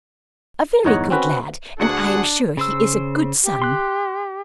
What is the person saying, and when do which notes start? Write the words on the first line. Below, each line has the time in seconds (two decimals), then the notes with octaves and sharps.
'A very good lad, and I am sure he is a good son.'
0.84 G1 E2 D#4 C#5 F#5 A#5
1.10 C4 C#4 F#4 B4
1.79 D2 D4 F#4 G#4 C5 F#5 C#7
2.57 C#3 C5 E6
3.44 G4
3.62 C6 F#6